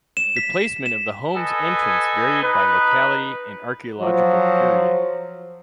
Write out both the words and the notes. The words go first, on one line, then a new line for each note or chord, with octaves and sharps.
The placement of the home's entrance varied by locality and archaeological period.
E7
B6
E7
A4 B4 D#5 G#5
D#4 B4
F3 F#3